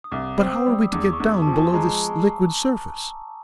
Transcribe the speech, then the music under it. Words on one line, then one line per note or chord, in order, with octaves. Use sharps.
"But how are we to get down below this liquid surface?"
D#6
C2 D6
C4
E6
D#6
G3
E2 D6
C#6
E2
A5
F3
G#5
G#3 A#5